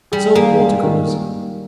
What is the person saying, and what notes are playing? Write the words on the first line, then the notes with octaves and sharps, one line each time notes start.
Silver water-coolers.
G3 G#4
A#3 G#4
G#3
D#3